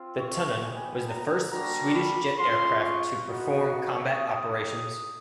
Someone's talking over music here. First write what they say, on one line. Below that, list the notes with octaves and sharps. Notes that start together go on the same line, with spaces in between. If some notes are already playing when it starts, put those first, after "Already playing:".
The Tunnan was the first Swedish jet aircraft to perform combat operations.
Already playing: C4 F4
C#6
B3 D#4 G4 G#5
A#5
G3 A#3 D4 F#4 A#5
B5
G#3 C#4 F4 C6
C#6
B3 D#4 F#4
C#6
A#3 D#4 G4 D#6